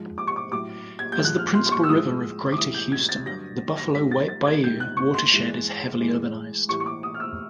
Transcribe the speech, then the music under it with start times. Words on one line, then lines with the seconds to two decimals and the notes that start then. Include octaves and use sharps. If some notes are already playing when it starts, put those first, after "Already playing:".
As the principal river of Greater Houston, the Buffalo Bayou watershed is heavily urbanized.
Already playing: G#2 F3 G#3
0.18 D6
0.27 C#6
0.36 D6
0.52 A2 F#3 D6
0.99 G#6
1.12 G6
1.21 A#2 F3 G#3 F#6
1.38 F6
1.55 C6
1.67 C6
1.72 C#6
1.84 E6
1.89 A2 F3 G#3 D#6
2.52 D6
2.57 A2 E3 G#3 D#6
2.74 G6
2.92 G#6
3.09 A6
3.25 G2 D3 F#3 A#6
3.77 A#6
3.95 G#2 D#3 G3 B6
4.11 A6
4.28 A6
4.46 G#6
4.64 G#2 D#3 G3 G6
4.80 F#6
4.97 C#6
5.14 C6
5.32 G#2 E3 G#3
6.00 A2 E3 G#3
6.68 A2 E3 G3 C#6
6.80 C#6
6.86 D6
7.03 D#6
7.14 F6
7.20 E6